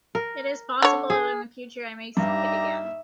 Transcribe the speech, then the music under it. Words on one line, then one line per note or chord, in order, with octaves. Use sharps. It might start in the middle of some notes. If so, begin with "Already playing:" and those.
It is possible that in the future I may seek it again.
A#4
D3 C#5
G#4
G2 D#4 G4 D5 E5 A#5